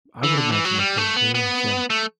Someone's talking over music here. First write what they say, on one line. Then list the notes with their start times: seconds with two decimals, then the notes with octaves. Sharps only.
I would imagine there probably is, yeah.
0.23 E3
0.37 D3
0.52 E3
0.65 F#3
0.79 G3
0.98 A3
1.16 B3
1.35 B3
1.90 A3